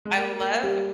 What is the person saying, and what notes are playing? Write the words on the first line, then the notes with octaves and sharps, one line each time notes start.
I love
G#3
A#3
A#3
G3